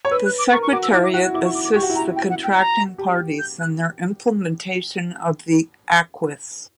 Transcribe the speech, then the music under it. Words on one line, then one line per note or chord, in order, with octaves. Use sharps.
The Secretariat assists the Contracting Parties in their implementation of the acquis.
C#5
B4 E6
F#6
D6
A#4 C#6
C#6
F#4 D6
E6
E4 D6
D6
F#4 F#6
F#6
E4 D6
C#6
D6
D6
G4 C#6
F#4
E4
F#4 A#5
G5
F#5
G5
A#5
G4
G6
F#6